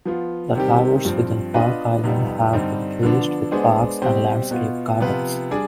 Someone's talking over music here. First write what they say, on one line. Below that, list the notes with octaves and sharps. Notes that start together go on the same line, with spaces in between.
The towers within Park Island have been placed with parks and landscaped gardens.
F3 B3 F4
C3 D#3 G3 C4 G4
G2 F3 C4
B3 D4 F4 B4 D#5
F2 C3 G3 B3 D#4
G2 D3 G3 C4 D#4
D3 F3 B3 D4
G#3 B3 D4 G#4 C5
B2 G3 C4 G4 C5
B2 B3 F4
C3 F3 B3 F4 B4
G3 D4 G#4 D5